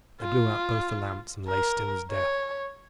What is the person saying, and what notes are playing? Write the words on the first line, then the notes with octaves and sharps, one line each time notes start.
They blew out both the lamps and lay still as death.
F4
A#4
C#5